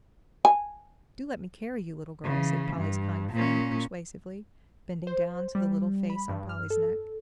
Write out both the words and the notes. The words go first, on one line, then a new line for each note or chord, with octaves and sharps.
"Do let me carry you, little girl," said Polly's kind friend persuasively, bending down to the little face on Polly's neck.
G#5
C#3 E3
G2
A#2 C#4
C5
G3
B5
G2
F6
A4